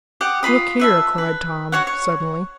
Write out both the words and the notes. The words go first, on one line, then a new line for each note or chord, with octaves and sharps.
"Look here!" cried Tom, suddenly.
G4 F#5 D#6
F4 A#4 B5 D#6
B4 E5 A5
B4
F#4 C#5 F#5
C#5